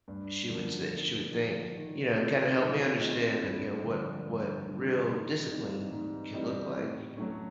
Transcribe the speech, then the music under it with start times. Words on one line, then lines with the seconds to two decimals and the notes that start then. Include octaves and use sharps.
she would say she would think, you know, it kinda helped me understand that, you know, what what real discipline can look like, you know?
0.08 G2
0.49 D3 F3 A#3
0.92 G2
1.34 D3 F3 A#3
1.75 D#3
2.17 G#3 C4 F4
2.58 D#3
3.00 G#3 C4 F4
3.42 G2
3.83 D3 F3
4.26 G2
4.67 D3 F3
5.08 G#2
5.50 E3 G3 C4 D#4
5.91 G#2
6.33 E3 G3 C4 D#4
6.76 A2
7.17 F#3 A3 C#4